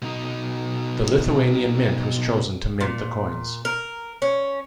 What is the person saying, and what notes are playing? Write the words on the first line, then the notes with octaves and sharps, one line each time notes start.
The Lithuanian Mint was chosen to mint the coins.
B2 D#4
A#2
A#4
C#4